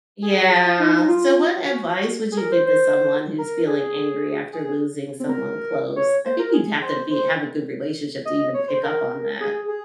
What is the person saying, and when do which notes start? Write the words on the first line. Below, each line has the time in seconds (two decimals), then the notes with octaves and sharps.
Yeah. So, what advice would you give to someone who's feeling angry after losing someone close? I think you'd have to be have a good relationship to even pick up on that.
0.22 G#4
0.51 F#4
0.66 F4
0.79 D#4
0.98 D#4
1.08 F4
1.66 F#4
2.32 G#4
2.37 A#4
2.52 C5
2.66 C5
3.38 A#4
3.67 G#4
4.53 G#4
5.20 C4
5.29 A#4
5.96 C#5
6.25 C5
6.39 A#4
6.53 G#4
6.82 C5
7.11 C5
8.25 D#5
8.54 C#5
8.68 C5
8.83 A#4
9.40 G#4
9.68 G#4